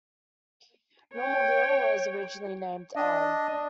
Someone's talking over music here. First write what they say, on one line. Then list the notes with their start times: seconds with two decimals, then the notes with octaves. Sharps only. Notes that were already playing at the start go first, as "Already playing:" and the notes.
Normalville was originally named "Elm".
1.15 C#5 G5
2.96 D4 D#5